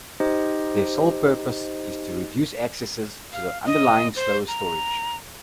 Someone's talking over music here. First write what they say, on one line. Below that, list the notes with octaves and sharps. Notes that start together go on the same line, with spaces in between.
Their sole purpose is to reduce accesses to the underlying slower storage.
D#4 G4 C5 D#5
F5
D#5
C5
A#5